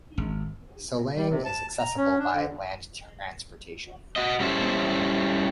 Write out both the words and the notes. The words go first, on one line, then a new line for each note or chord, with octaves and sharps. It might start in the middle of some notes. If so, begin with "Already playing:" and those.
Silang is accessible by land transportation.
G#1
G3
C3
A5
A#5
C#4
D4
D3
F#4 D#5
G3 C#4 E4 A4 C5